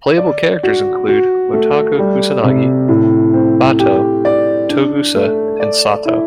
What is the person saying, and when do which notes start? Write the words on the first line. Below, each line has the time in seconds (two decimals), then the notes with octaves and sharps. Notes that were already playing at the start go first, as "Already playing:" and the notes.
Playable characters include Motoko Kusanagi, Batou, Togusa, and Saito.
0.18 D5
0.63 F#4
1.08 F#4
1.53 A3
1.99 G3
2.44 C3
2.88 A2
3.34 C4
3.79 G4
4.25 D5
4.69 D4
5.16 A3
5.60 D5
6.05 E4